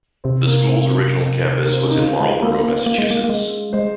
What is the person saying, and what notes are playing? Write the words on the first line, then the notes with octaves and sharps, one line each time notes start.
The school's original campus was in Marlborough, Massachusetts.
C3 C4
A#3
C4
C4
A#3
C4
C#4
D#4
C#3 F4
G#3
A#3
A#3
A#3
G#3
A#3
A#3
G#3
G#3 C5